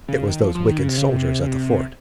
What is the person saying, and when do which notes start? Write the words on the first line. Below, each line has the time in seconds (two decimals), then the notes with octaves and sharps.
It was those wicked soldiers at the fort!
0.08 C#3
0.28 D#3
0.42 F3
0.55 F3
0.68 D#3
0.79 C#3
0.88 C3
0.97 C#3
1.08 C3
1.40 C#3
1.48 C3